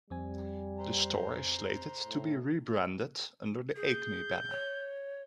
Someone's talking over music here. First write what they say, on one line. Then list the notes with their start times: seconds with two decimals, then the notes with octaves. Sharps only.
The store is slated to be rebranded under the Acme banner.
0.10 F2 G3 C4 G#5
0.79 C5 A#5
2.05 A2
3.76 G#4 G6
4.51 C#5